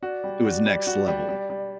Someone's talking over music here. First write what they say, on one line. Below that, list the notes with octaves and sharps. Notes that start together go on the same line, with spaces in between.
it was next level,
F#4 D5
G3
F#4
G3
F#4
G3
G3
G3